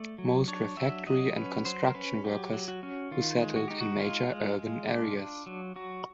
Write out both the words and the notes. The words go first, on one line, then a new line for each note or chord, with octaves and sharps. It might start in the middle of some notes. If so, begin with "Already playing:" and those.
Most were factory and construction workers who settled in major urban areas.
Already playing: A3 D5
F#3
D4 C#5
F#3 E5
F#3 D#5
C#4 B4
F#3 C5
A#4
C#4 B4
F#3 G4
F#3
F#4
C#4
D#3 F4
G#3
F#4
D#4 G4
F#4
G#3 F4
G#3
G#3
D4
D4
F#3
F#3 F#4